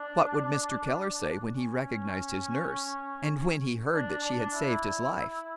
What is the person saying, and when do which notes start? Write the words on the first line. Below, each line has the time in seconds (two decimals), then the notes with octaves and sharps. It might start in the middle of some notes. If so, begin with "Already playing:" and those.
What would Mr. Keller say when he recognized his nurse, and when he heard that she had saved his life?
Already playing: D4
1.54 C#4
3.93 D4
4.24 D4
4.54 E4